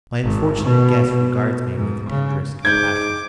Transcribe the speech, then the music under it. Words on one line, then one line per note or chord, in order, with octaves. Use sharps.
My unfortunate guest regards me with the tenderest compassion.
G#1
B2
B2
G#2
C#3
G#2 D6 G6 G#6